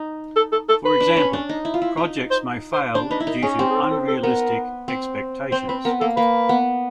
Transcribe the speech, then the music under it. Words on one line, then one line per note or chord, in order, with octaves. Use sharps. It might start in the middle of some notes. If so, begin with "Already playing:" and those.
For example, projects may fail due to unrealistic expectations.
Already playing: D#4
A4
A4
A4
B4
D4
C#4
D4
D#4
E4
F4
E4
D#4
C5
C5
D4 C5
D#4 B4
E4
D#4 A#4
C#4 G#4
C4 G4
G#4
A4
A4
A4
B3 A#4
C4
C4 C5
C4 B4
B3 A#4
A#3 A4
A#3 B4
B3